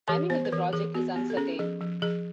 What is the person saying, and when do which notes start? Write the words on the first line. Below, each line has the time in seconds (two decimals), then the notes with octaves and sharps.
Timing of the project is uncertain.
0.09 E3 G4
0.30 B3 C5
0.45 B4
0.52 E3 A#4
0.73 E3 G#4
0.94 B3 F#4
1.16 B3 G4
1.30 A4
1.37 C#4 G#4
1.59 F3 G#4
1.81 F3
2.02 F3 G#4